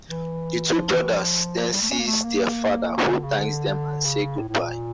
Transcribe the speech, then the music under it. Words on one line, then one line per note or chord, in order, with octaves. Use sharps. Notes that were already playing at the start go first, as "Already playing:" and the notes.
The two brothers then sees their father who thanks them and say goodbye.
E3
F3
E3
F3
G3
A3
C#4
A#3
A3
A#3
D3
C#3
D3
C#3
A2
A2
A#2